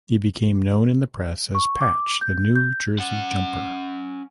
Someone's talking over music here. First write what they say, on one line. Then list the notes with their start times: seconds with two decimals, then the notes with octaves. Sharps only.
He became known in the press as Patch the New Jersey Jumper.
1.55 C#6
1.81 D6
2.21 G6
2.55 G6
2.99 C#4 F#5